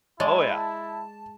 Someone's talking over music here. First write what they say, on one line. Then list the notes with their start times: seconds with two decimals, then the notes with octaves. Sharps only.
Oh yeah,
0.20 G#3 E4 C#5 D5 A5